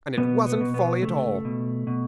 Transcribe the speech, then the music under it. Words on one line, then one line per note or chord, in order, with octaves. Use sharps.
And it wasn't folly at all!
B2 B3
B3
B2
B3
C#2 A3
B2
B2